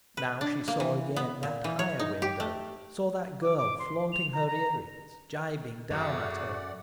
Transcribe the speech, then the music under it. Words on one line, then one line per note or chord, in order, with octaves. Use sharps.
Now she saw again that higher window, saw that girl flaunting her ear-rings, gibing down at her.
B4
D4
A#3
E3
B3
A#2
E3
C#5
D#4
G4
A3
D6
D6
C6
F7
A#5
A#5
F#2 C#3 F#3 A3 D5 F#5